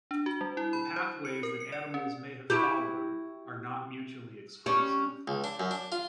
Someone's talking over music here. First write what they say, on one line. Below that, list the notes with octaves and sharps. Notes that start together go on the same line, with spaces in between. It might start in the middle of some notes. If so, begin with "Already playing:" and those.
The pathways that animals may have followed are not mutually exclusive.
D4
F#4
G3
E4
B5
C5
C#7
A#4
C#7
D5
C#4
E4 F#4 G4
G3 C#4
C#2
D4
F#2
D4
F4